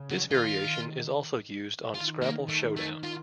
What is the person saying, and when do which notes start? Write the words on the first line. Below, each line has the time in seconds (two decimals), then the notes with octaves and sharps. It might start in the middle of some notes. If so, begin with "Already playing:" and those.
This variation is also used on "Scrabble Showdown".
Already playing: C#3
0.10 F#3
0.31 D#3 F4
1.94 D#3 F4
2.22 A#3
2.49 A3
2.76 A3
3.03 F4